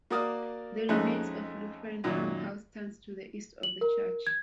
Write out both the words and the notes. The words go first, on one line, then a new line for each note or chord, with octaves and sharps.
The remains of Luffenham House stands to the east of the church.
A#3 F#4 A#4 D5 D#6 F6
F2 G#3 A3 C#4 D#4 F#6
F#2 A#2 D#3 F#3
F#7
A#4
G#6